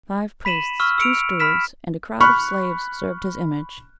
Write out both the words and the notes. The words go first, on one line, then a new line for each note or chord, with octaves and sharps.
Five priests, two stewards, and a crowd of slaves served his image.
B5 B6 D#7 E7 F#7
C#6 E6 F6
E6 C#7 D7 F7
B5 F6 B6 E7
B5 C#6 F6 F#6